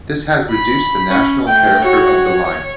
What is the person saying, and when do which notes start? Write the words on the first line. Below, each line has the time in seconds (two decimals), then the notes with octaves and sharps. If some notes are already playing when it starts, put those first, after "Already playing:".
This has reduced the national character of the line.
0.50 B5
1.10 C#4
1.48 A3 G5
1.84 F#4 C#5